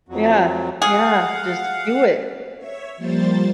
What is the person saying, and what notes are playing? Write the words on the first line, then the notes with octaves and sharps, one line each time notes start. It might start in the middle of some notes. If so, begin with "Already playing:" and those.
Yeah. Yeah, just do it.
F2 F#3
G#4 F5 F#5
C#5 E5
F3 G3 A#3 C5 A6